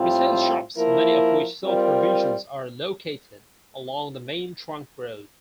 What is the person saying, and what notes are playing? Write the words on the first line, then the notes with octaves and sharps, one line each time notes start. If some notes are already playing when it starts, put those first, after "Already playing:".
Retail shops, many of which sell provisions, are located along the main trunk road.
Already playing: A2 G3 C4 F4
F3 A#3 E4 A#4
G3 C4 F4 A#4